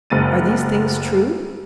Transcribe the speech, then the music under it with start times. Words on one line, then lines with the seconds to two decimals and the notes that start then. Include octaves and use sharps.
"Are these things true?"
0.10 F#1 G#3 A6 D#7